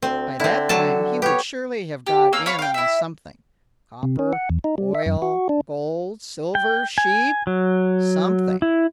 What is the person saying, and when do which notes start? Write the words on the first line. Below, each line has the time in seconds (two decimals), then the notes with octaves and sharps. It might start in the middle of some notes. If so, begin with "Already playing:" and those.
By that time he would surely have got in on something: copper, oil, gold, silver, sheep,--something.
0.02 D2 C4
0.40 D3 C4 E4
0.69 F#3 A4 A5
1.22 B3 G4 C#5
2.07 G4
2.33 A#3 C#4 F5 E6
2.46 C#5 F5 B5 C#6
2.59 F5 G5
2.74 E4 E5
4.03 C3
4.19 C#4
4.33 F#5
4.50 E2
4.64 D#4
4.78 G3
4.95 E5
5.06 F#2
5.22 F#4
5.49 D4
6.55 G5
6.98 G#5
7.47 F#3
8.62 E4